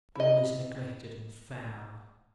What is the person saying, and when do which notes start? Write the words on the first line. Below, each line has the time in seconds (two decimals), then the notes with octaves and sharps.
All is neglected and foul.
0.15 E4 D#5